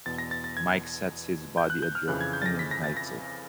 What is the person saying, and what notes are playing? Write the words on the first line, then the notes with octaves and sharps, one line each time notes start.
Mike sets his body adrift and ignites it.
E2 B2 A6
A#6
A6
A6
G#6
G6
F#6
G6
F6
F2 C#3 E3 F#6
G#6
G6
A6
A#6
B6
A#6
A6
A#6